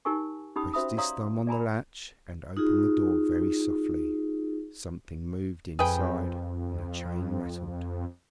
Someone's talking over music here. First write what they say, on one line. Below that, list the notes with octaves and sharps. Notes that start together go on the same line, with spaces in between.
He pressed his thumb on the latch and opened the door very softly. Something moved inside and a chain rattled.
D#4 G4 A#4 G#5 C#6
C#4 D#4 G4 B5 D#6
C#4 F#4 C5 E5 B5 D#6
C#5 D5 F5 A#5 C6 D#6
D5 G#5 A#5 B5
D#4 F4 F#4 G#4
F2 G#4 B4 G5